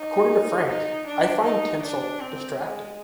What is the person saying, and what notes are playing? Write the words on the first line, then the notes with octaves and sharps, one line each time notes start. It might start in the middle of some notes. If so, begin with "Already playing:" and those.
According to Frank, I find tinsel distracting.
Already playing: D#4
D#4
D4
D#4
D4
C4
G#3